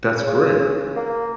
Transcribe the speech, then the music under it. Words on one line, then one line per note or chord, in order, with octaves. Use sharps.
That's great.
C#3
A#3